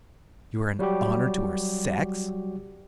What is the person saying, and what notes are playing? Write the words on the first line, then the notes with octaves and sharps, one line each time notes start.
You are an honour to our sex!'
F#3 G3 F#4 G4